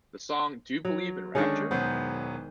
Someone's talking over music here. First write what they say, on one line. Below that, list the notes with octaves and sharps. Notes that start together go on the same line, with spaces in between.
The song Do You Believe in Rapture?
F#3
D3 D#3 G#3 C#4 D4
E1 F#3 B3 C5